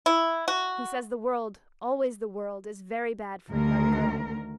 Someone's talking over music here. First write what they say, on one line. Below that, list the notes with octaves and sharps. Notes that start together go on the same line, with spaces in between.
He says the world, always the world, is very bad for a young girl.
E4
F#4
D2 D#3 A#4